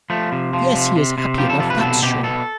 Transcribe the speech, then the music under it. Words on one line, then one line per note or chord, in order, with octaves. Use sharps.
Yes, he is happy enough, that's sure!
F3 A3
C3
F3
C3
C3
C3
F3 G4
A4
C3 A4
B4
B2 A4
B2 G4
B2 A4